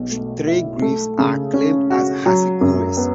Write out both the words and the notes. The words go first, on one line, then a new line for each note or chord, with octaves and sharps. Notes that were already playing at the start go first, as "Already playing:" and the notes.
Three graves are claimed as Hasekura's.
Already playing: B1 B2
A3
E4
A3
C#3
C#4
F#4
F#3
F#2
B3